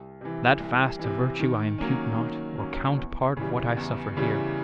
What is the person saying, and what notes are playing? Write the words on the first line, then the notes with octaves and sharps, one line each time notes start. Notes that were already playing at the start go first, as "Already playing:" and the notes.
That fast To virtue I impute not, or count part Of what I suffer here.
Already playing: C2
C3 E3
C2
C3 E3
D#3
F#3 A#3 C#4
D#3
F#3 A#3 C#4
E2
C#3 E3 G3
E2
C#3 E3 G3